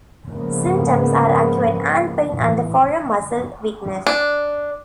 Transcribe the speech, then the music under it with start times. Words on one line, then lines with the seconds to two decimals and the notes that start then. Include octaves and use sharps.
Symptoms are acute hand pain and forearm muscle weakness.
0.27 G#2 C#3 F3 A#3 B3
2.33 A2 E3
4.07 D4